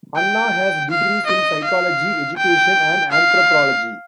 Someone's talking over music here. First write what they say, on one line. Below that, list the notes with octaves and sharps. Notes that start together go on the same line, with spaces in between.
Anna has degrees in psychology, education and anthropology.
G5
F5
D#5
F5
G5
F5